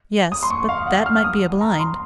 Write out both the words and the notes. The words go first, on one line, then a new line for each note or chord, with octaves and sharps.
"Yes; but that might be a blind."
D#6
C6
C#6
F5
F#5
F6
D#6
A#5
C6